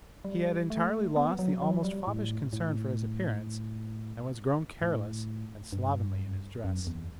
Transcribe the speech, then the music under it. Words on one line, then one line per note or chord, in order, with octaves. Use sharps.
He had entirely lost the almost foppish concern for his appearance, and was grown careless and slovenly in his dress.
G3
A3
B3
F#3
F#3
G3
A2
A2
A2
G2
F#2
E2